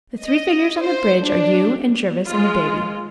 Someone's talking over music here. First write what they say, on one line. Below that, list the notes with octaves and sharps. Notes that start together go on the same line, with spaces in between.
The three figures on the bridge are you and Jervis and the baby.
D#5
C5
D4
G#3 F4